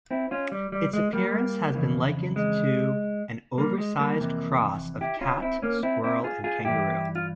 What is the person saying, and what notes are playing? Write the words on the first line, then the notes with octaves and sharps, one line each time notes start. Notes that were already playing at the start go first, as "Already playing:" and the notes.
Its appearance has been likened to "an oversized cross of cat, squirrel and kangaroo".
C4 E4
C#4 F4
G3
G3
G#3
G3 A#3
F2 C#3 E3
G#3
G3 A#3
G#3
G3 A#3
F2 C3 E3
E4 G4
C#4 F4
C4 E4
A#3 C#4
C4 E4
C4 E4
F4 G#4
F4 G#4
G2 E3 E4 G4
F4